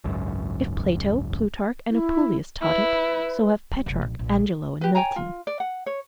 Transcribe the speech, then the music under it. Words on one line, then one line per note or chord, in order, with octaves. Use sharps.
If Plato, Plutarch and Apuleius taught it, so have Petrarch, Angelo and Milton.
G#1 C#2 F#2
E4
E4 B4
G3
F1
A#1
A#1
G4 B4
C#5 G5 G#5 A#5
F4
D5
F#5
C#5